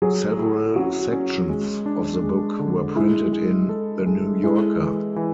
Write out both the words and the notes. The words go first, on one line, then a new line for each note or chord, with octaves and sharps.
Several sections of the book were printed in "The New Yorker".
F#3 G#4
E4
C#4 F#4
C#4
G#3
D4
G#3
D3
G#3 E4
G#3
A4
G#3
G#3 E4
E3
E3